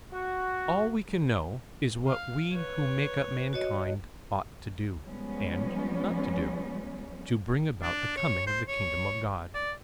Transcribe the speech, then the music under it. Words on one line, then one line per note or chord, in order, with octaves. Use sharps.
All we can know is what we who make up mankind ought to do, and not to do, to bring about the coming of the kingdom of God.
F#4
F5
B4 C#5
F#4 C#5 D#5
F3 G3 G#3 B3 C#4
D4
C#5
C5
C#5
D5